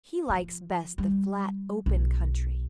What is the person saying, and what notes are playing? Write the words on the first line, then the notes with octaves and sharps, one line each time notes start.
He likes best the flat, open country.
F3
G3
B1